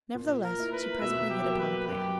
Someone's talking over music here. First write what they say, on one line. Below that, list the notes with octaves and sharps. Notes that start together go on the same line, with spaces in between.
Nevertheless she presently hit upon a plan.
A#2
A#4
A#3 E4
B4
B2 E5
G4
F#3 A#3
B4
F#2 G4